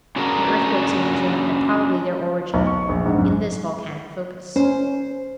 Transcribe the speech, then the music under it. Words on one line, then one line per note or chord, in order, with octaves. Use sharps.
The earthquakes in New Zealand had probably their origin in this volcanic focus.
C#4 D4 F#4 G#4 A#4
B1
C#6
A#1
G#2
F#2
C#4 C5